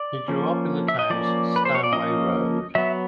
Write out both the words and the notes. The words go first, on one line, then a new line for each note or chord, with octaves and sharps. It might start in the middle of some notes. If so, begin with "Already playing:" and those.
He grew up in the town's Stanway Road.
Already playing: D5
F3 A#3 C#4
E5
D#5
F3 A#3 C#4 D5
B4
C5
C#5
D5
F3 A#3 C#4 D#5
F#3 B3 E5